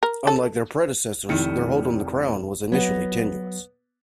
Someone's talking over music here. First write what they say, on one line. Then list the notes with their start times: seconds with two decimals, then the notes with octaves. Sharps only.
Unlike their predecessors, their hold on the crown was initially tenuous.
0.03 A#4
0.27 A4
1.29 F1 D#3 A3 E4 C#7
2.72 F#3 B3 C#5 D#5 F#5